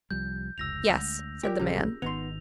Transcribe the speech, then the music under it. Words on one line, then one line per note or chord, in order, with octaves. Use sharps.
"Yes," said the man.
C2 F3 G3 G6
F1 C#2 E6 A#6 F7
D2 G#3
F4 G4 A#4 D5
A#1 C#3 F#3 G3 C#4 G4 G#4
G#1 D#3 B3 D#4 B4 C6 F7